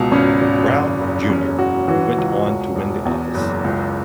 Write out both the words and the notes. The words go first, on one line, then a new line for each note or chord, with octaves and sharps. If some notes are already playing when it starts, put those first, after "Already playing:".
Brown, Junior who went on to win the office.
Already playing: C#2 B2
G#1 C#4
G#1
F#1
F#1
E1 C#4
E1 F#4
E3 F#4
C#2
E1
E1
E2
F#1
C#2